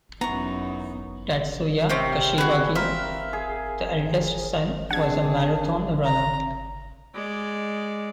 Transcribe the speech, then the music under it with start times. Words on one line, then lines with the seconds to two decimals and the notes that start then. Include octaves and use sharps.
Tatsuya Kashiwagi, the eldest son, was a Marathon runner.
0.21 F#2 B3 D#4 E4 A#5 C#6
1.89 C3 C4 C#4 G4 G5
2.38 F#4 G#4 B4
2.75 A#4 C5 E5 F5
3.33 G#4
4.91 C4 D4 G#4 F#5 A5 G#6
6.05 A#5
7.14 G#3 D5